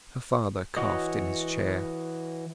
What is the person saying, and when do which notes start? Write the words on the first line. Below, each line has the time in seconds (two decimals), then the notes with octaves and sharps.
Her father coughed in his chair.
0.77 E3 F#4 C#5 D#5